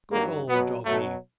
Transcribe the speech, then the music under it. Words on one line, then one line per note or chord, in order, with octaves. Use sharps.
Good old doggy!
G2 D#3 F#3 A#3
B2 F#3 B3
B2 F#3 A3